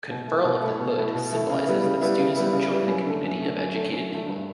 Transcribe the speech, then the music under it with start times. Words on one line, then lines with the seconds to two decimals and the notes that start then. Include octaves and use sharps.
Conferral of the hood symbolizes that students have joined the community of educated people.
0.10 B2
0.28 A3 E4
0.44 B2
0.62 A3 E4
0.80 B2
0.97 A3 E4
1.15 B2
1.32 A3 E4
1.50 C#3
1.67 G3 B3 E4
1.83 C#3
2.01 G3 B3 E4
2.19 C#3
2.36 G3 B3 E4
2.53 C#3
2.71 G3 B3 E4
2.88 F#2
3.06 D3 A3
3.24 F#2
3.41 D3 A3
3.58 F#2
3.75 D3 A3
3.92 F#2
4.10 D3 A3
4.27 G2